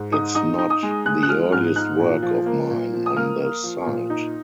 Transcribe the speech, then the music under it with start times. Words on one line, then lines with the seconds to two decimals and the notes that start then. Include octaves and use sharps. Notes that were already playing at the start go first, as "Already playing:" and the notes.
It’s not the earliest work of mine on the site.
Already playing: G#2
0.12 D#4 D#6
0.35 D#4 D#6
0.58 D#4
0.70 D#6
0.83 G#3
1.06 G#3 F#6
1.23 F#6
1.29 F3 F6
1.52 G#2 F6
1.76 D#4 F#6
1.99 A#2
2.22 F3
2.46 A#3
2.70 A#2
2.93 F3
3.06 D#6
3.16 A#3 F6
3.40 A#3
3.63 F3
3.86 A#2
4.10 D#4